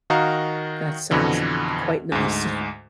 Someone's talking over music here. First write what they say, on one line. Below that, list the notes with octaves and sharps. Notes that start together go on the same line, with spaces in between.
That sounds quite nice.
D#3 F#4 A#4 D#5 F5 A#5
F2 B2 D3 E3
D2 G#2